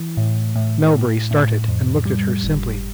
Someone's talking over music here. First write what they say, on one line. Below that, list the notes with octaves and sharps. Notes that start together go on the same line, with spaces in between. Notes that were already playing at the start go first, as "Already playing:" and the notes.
Melbury started, and looked at her simply.
Already playing: E3
A2
A2
A2
A2
F2
G3
G1